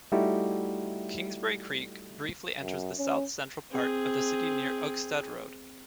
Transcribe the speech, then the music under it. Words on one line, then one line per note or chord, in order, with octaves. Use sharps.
Kingsbury Creek briefly enters the south-central part of the city near Ugstad Road.
G3 A3 D#4 E4 F#4 G4
F#2
C#4
C4 G#4